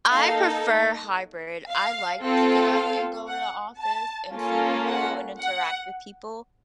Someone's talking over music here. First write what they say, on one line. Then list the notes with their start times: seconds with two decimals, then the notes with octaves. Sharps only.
I prefer hybrid, I like to get up and go to the office and see people and interact with people.
0.11 A#3 D#4 A4 F5
1.69 F5
2.23 C4 F4 A4
2.75 F5
3.28 F#5
3.80 A5
4.33 A#3 C#4 F4 A4
4.85 F#5
5.38 F#5